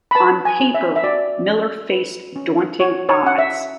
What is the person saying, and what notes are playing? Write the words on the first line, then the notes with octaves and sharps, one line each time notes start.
On paper, Miller faced daunting odds.
B5
B4 A5
G#5
C#4
E5
E5
F#4 D5
C#4
B4
C#4
F#4 C#5
C#5
C#4 F#5
E5